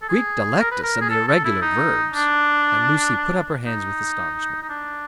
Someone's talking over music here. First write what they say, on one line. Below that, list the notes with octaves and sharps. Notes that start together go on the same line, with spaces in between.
"Greek Delectus and the irregular verbs!" And Lucy put up her hands with astonishment.
A4
G#4
A#4
B4
A#4
G#4
A4
A4
E4
D#4
D4
D#4
D#4
D4